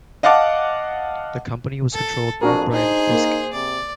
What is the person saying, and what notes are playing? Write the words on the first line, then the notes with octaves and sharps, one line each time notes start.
The company was controlled by Brian Fisk.
D#5 F5 F#5 A5 D6
A4
F2 D4 F#4 G#4 A#4
D#4 G#4 C5
A#3
C3 D5